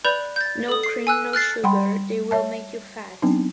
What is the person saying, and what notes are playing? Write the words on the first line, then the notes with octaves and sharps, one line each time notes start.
No cream, no sugar; they will make you fat.
B4 D5 B5 G6 F7
G6 A6
A4 D#6
C7
G#5 E6 F#6
F6 F#6 A6 C7
G3 F#5 G5 B5 C6
C#5 E5 A5
F#3 B3 C4 D4 D#4